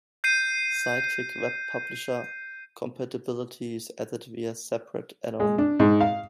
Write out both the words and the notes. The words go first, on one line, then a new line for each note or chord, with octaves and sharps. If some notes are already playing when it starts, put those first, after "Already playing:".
Sidekick Web Publisher compatibility is added via separate add-on.
G6 C7 D#7
G#3
D4
G#2
F5